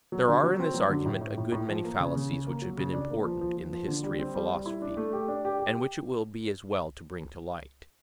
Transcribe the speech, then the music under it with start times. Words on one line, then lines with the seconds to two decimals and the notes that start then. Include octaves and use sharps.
There are in this argument a good many fallacies which have been important in the history of philosophy, and which it will be as well to bring to light.
0.12 F#3
0.28 D3
0.43 F#3
0.59 C4
0.74 F#3
0.89 D3
1.06 A2
1.21 A2
1.38 A2
1.52 A2
1.69 F3
1.84 A#3
2.00 C#3
2.16 C#3
2.30 C#3
2.47 A#3
2.62 F#3
2.78 C#3
2.93 D4
3.10 A#3
3.25 F3
3.41 F3
3.57 F3
3.73 F3
3.88 D3
4.03 G3
4.18 C4
4.35 G3
4.51 G3
4.66 E4
4.82 D4
4.97 A3
5.13 G4
5.28 D4
5.45 G4
5.59 G4